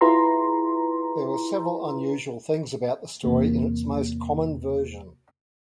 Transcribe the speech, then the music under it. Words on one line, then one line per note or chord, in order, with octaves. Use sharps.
There were several unusual things about the story in its most common version.
E4 F4 G#4 B4 A#5 C6
E2 C3 A#3